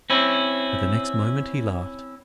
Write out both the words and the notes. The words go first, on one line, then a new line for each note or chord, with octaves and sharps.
But the next moment he laughed.
C4 C#4 E4